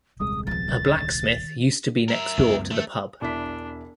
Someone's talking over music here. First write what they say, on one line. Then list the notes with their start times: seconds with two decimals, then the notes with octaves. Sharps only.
A blacksmith used to be next door to the pub.
0.20 D#1 C2 G#3 D#6
0.47 F3 B3 A6
0.68 D#3
2.08 A#4 E5
2.38 C#2 F#2 B3
2.71 D#3 A3
3.21 E1 D4 E4 B6